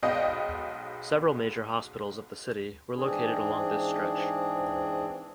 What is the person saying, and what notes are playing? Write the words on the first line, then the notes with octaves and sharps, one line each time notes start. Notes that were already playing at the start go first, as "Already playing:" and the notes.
Several major Hospitals of the city were located along this stretch.
B1 G#2 B3 D#5 F5 G5
G#2 E3 C4 D4 G#4